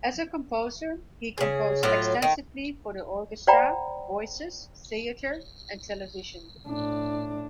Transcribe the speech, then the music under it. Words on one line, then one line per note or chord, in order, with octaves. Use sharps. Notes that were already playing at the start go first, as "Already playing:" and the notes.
As a composer he composed extensively for the orchestra, voices, theatre and television.
C#3 G#4
A2 F#3 F4
D#3
C5 D5 F#5 G5 A#5 B5
A2 D4